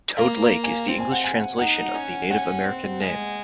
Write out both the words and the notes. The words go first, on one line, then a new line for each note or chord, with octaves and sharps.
Toad Lake is the English translation of the Native American name.
A#3 F5
G#5
C4
G#5
F#5
G#5
D#4 F#5
C#4
C#4 F#5
C4
G#3